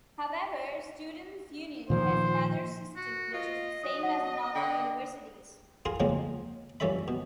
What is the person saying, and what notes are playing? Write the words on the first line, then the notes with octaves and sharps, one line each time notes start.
However, students' union has another system which is the same as the normal universities.
A#2 D#3 F3 C5
F#4
F4 D#5
F#3 D#6
F#5
D3 G5
F4 G#4 A#4 G#5 C6
C#3 F3 G#3 A#3 C4
G2 F3 C#4 A4 E5 B5
B2